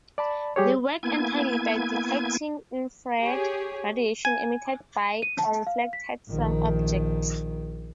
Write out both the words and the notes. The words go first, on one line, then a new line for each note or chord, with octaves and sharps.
They work entirely by detecting infrared radiation emitted by or reflected from objects.
D5 A5 B5
G3 G4 G#4 C#5
A#3 B3 E4 G#5 G#6
G4 G#4 C#5
G#5
D#7
A5
F5
B6
A#1 D#3